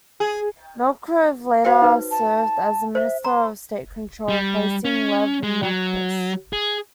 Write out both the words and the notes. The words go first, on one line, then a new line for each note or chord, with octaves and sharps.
Merkulov later served as Minister of State Control, replacing Lev Mekhlis.
G#4
F#4 C5 F5 G5
D#4 B4
A5
C5 E5
A#5 C6
G3
C#4
G#3
F#3
G#4